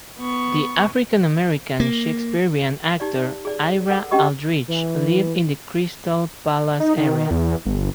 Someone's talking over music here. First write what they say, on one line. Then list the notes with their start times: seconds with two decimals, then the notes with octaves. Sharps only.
The African-American Shakespearian Actor Ira Aldridge lived in the Crystal Palace area.
0.18 B3 C#6
1.80 A#3
3.00 D#4 G4 D5
3.45 G#4 D5
3.90 A4 A#4 F#5
4.11 C#4 D4 G4 D#5 C#6 D6
4.68 E3
6.80 D#4
6.97 D#3
7.31 E2
7.66 G1